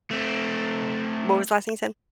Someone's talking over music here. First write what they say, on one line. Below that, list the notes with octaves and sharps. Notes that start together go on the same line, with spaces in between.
What was the last thing you said?
A3 C4